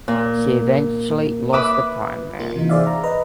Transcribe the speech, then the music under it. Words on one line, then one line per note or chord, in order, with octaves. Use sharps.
She eventually lost the primary.
A#2
B4 E5 D6 D#6
A#3 F4
C3 E3 D#4
G#4 C5 D5 E5 F5
A#5
B4 D#5 A#5